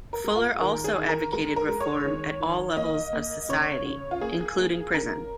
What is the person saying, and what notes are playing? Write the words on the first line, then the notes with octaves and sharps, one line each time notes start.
Fuller also advocated reform at all levels of society, including prison.
A#4
G#3
F4
D#3 A#4
G#4
D#3
A#4
G#3 A#4
A#4
G#3
C#5
D#3
D#3
A#3 D#5
A#3
C#3 C#5
C#3
F4
A#3 G#4
A#3
C#3 A#4